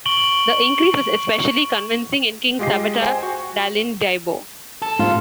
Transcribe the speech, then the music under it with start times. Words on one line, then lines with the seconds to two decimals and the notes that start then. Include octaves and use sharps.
The increase was especially convincing in King Sabata Dalindyebo.
0.06 C#6 D7 F#7 G7
2.59 G#3 F4 G4 D#5 C7
3.02 C5 G5 G#5
3.23 F#4
4.82 A4
4.99 F4